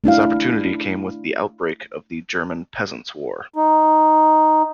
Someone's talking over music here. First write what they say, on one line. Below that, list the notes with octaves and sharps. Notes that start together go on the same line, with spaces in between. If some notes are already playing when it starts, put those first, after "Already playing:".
His opportunity came with the outbreak of the German Peasants' War.
A3 D4 E4 F5
D#4